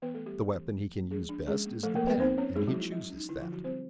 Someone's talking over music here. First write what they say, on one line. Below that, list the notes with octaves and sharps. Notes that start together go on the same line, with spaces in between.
The weapon he can use best is the pen, and he chooses that.
E3 B3 B4
A3 A4
E3
G3 G4
C#4
E3
F3
A#3
F3 G#3 G#4
D4
G#3 C#4 G#4
A#3
F3 A3 A4
A#3 A#4
F3
B3 B4
C4 D#4 C5
C4 C#4 C#5
G#3 D#4 G#4
F#3 F#4
F3
E4
F#3
C#4
D#4
D3 E4
F3 F4
D3 F#3 F#4
G3 C4 C5